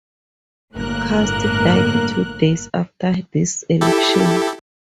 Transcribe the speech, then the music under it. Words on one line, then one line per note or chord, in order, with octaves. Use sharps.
Cust died two days after this election.
G1 A2 A#3 A#4 F#6
E4 G4 A4